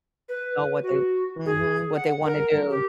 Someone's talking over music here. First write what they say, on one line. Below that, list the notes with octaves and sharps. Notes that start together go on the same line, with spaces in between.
Now what they Mhm, what they wanna do.
B4
F#4
G#4
F#5
A#4
G4